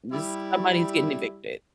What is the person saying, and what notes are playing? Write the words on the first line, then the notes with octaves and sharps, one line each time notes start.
This" somebody's getting evicted.
G3 E4